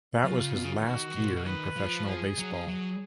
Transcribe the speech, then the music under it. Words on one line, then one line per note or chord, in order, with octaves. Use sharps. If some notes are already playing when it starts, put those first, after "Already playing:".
That was his last year in professional baseball.
F#3 F4
C#3
B2
C#3
D#3
D#3 F#4
B2
A#2
B2
D#3 B4
F3
G#4
F#3
F3
F#3